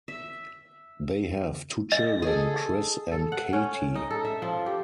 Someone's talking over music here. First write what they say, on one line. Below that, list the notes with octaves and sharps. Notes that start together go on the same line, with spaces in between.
They have two children, Chris and Katie.
E5
D#5
G#4 A4
A4
F#5
C#4
D#4
A4
E5
F3
G4